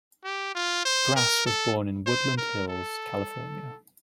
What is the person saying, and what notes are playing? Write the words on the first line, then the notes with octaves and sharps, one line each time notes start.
Brass was born in Woodland Hills, California.
G4
F4
C5
A#4
A4
C5
A#4
A4